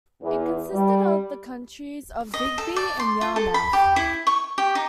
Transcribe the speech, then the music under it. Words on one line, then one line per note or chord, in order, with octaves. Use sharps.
It consisted of the counties of Digby and Yarmouth.
E2
G3
D#5
A4
D5
C6
F4
A4
B5
G4
E4
C#6
G4
D#4